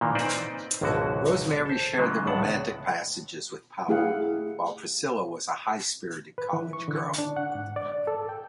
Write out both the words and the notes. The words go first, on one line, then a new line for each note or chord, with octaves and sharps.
Rosemary shared the romantic passages with Powell, while Priscilla was a high-spirited college girl.
A#2 D#3 E3 A#3
C4 D#4 B4 C5 D5
G#1 C#2 B2 D3 F#3 F#4
A4 C5
C#3 E3 F#3 G#3
C#2 A2 B3 D4 F#5 A5
A3 E4 G4 G#4 F5 F#5
B4
E3
C#6
D3
D4
F#5
G#2
D5
A4
G5